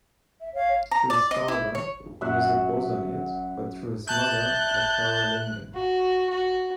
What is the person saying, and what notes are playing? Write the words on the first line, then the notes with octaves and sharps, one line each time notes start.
Through his father, he was a Bosonid, but through his mother, a Carolingian.
E5
C#5 F5
A#5
D5
D#5
E4
C#5
F#2 E5 F#5
E5 A5 F#6 G6
F#4
F#4